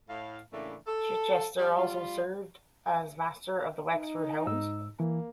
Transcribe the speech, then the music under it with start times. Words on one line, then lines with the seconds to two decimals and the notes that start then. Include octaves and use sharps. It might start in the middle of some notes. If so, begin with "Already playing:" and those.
Chichester also served as master of the Wexford Hounds.
0.08 A2 F5
0.52 A2 C#3 E3 A3 A#3 D4
0.87 A4
1.58 G3
1.77 G3 F4
3.94 D#4
4.47 G#2 E6
5.00 E3 A#3